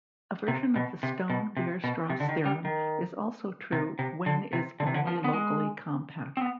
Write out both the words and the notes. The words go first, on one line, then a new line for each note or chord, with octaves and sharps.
A version of the Stone-Weierstrass theorem is also true when is only locally compact.
C3
B2
C3
B2
C3
B2
C3
D3
D#3
G3
D#3
C3
C3
D3
C3
D3
C3
D3
F3
B3
G#3
C4
B3